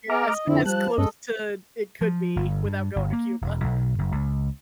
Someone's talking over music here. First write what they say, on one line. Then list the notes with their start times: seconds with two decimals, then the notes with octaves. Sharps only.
Yes, as as close to it could be without going to Cuba.
0.10 B3 G#4 A#5 D6 F6
0.26 D#5
0.47 F2 D3 C4 D4 E4
0.66 F3 G3 A5 F#6
0.98 G2 G#3 C#4 A4 D#5
2.01 F3
2.36 G1
2.65 G2
2.96 G1
3.13 A#3
3.41 E1
3.64 B1
3.98 F#1
4.12 C#2